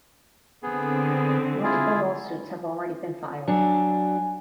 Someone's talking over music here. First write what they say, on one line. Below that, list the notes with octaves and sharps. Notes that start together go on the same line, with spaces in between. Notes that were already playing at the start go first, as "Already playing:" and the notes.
Multiple lawsuits have already been filed.
D3 B3 C4 G#4
E4 F4 G#4
F#3 D4 G#5